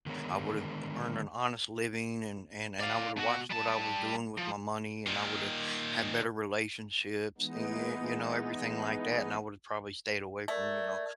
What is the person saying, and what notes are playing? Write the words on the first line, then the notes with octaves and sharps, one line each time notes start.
I would've earned an honest living and and and I would've watched what I was doing with my money and I would've had better relationships, y you know, everything like that, and I would have probably stayed away from, you know,
D3 D#3 G#3 B3 A#4 C#5
D5 F5
B2 F#4
G3 A5
F3
A#2 D#3
E3 G#3 B3 D#4
A3 A#4 D5 G#6